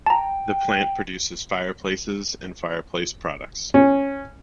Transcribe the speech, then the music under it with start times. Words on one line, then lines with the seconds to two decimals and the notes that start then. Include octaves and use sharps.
The plant produces fireplaces and fireplace products.
0.06 G5 A5 A#5
3.74 C#4